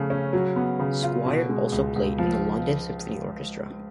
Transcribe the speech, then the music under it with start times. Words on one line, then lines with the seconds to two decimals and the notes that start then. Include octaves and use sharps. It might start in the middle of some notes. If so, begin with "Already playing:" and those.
Squire also played in the London Symphony Orchestra.
Already playing: C#3 F3 A3
0.10 C#4
0.33 F#3
0.56 B3
0.79 C#3
1.03 F4
1.26 B2
1.49 G#3
1.72 C#2
1.96 C#2
2.18 F3